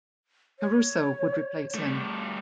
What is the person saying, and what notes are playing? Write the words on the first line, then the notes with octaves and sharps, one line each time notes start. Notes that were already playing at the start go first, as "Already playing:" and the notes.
Caruso would replace him.
C#5
G3 A3